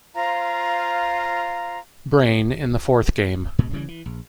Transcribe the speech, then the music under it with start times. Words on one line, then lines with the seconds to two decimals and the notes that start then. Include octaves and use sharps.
Brain, in the fourth game.
0.14 F4 C5 F5 A#5
3.59 G#2 B2
3.73 C#3 E3 F#3 G3
3.88 E3
4.06 A#1